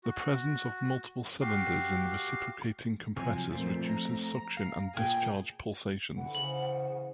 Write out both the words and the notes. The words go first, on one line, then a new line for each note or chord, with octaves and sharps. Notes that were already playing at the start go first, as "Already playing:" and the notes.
The presence of multiple cylinders in reciprocating compressors reduces suction and discharge pulsations.
F#4
F#4 G4 F5
C3 F3 F#3 G#5
F2 A#2 A3 C4
A#5
F5
A#2 G#4 G5
D3 E3 F#5
C#3 C5 G#5 C#6 F#7